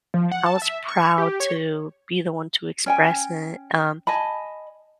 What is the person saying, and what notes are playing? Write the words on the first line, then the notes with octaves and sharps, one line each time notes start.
I was proud to be the one to express it. Um,
F3
F#5
A5
E5
C#6
G4
C#5
C#4 G5 G#5
D#5 G#5 A5 B5